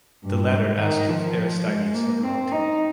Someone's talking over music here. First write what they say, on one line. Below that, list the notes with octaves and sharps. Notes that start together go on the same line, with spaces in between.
The latter asked if Aristides had wronged him.
G2
G#2
D#3
F3
G#3
A#3
C4
D#4